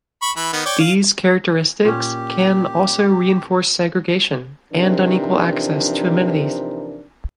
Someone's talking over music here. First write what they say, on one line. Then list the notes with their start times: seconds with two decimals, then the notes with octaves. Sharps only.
These characteristics can also reinforce segregation and unequal access to amenities.
0.22 B5 C#6
0.36 E3 B5
0.53 D#3 B3
0.66 C#5 D5 G5
0.80 F5
1.85 A#2 C#4 G4
4.73 C3 E3 F3 D4 D#4 A#4